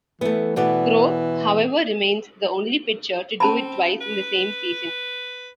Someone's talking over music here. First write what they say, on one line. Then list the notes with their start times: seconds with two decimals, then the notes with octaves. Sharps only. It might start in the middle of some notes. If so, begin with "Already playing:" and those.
Grove, however, remains the only pitcher to do it twice in the same season.
0.21 E3 A3 B3
0.56 B2 E3 B3 D5
3.40 C4 C#4 A5 B5
4.01 B4